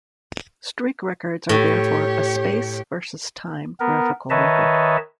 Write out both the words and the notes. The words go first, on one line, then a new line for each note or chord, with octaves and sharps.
Streak records are therefore a space versus time graphical record.
A2 G4 C#5
B3 A#4
D#3 B4 C#5 D#5 E5 A5